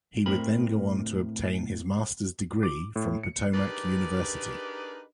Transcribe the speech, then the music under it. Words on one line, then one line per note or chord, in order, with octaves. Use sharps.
He would then go on to obtain his master's degree from Potomac University.
A2 C4 A#4 B5
D6
A2
C#7
D4 D#4 G4 G#4 A#4 B4